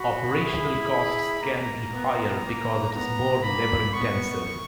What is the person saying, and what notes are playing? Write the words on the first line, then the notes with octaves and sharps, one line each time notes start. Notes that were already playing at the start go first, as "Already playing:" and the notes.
Operational costs can be higher because it is more labor-intensive.
Already playing: F#4 B5
E4 G#4
A#3 A#5
B3
A#3
B3 A#5
A#3 B5
B3 C#6